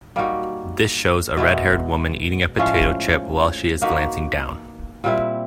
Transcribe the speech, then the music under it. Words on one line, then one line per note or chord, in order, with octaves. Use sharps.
This shows a redhaired woman eating a potato chip while she is glancing down.
G3 A#3 D#4 F#4
B2 G#3 B3 E4
A2 F3 G#3 C#4
A#3 D#4 F#4 B4
A#2 G3 C4 E4